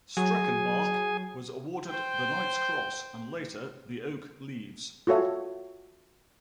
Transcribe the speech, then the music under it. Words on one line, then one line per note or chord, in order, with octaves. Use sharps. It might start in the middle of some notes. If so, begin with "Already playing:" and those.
Streckenbach was awarded the Knight's Cross, and later the Oak Leaves.
F#3 G#4 G#5
C5 G5
F4 F#4 A4 C#5 E5